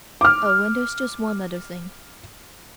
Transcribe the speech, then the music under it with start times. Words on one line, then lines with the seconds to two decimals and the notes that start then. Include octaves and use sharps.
Oh, and there's just one other thing.
0.21 D6 F6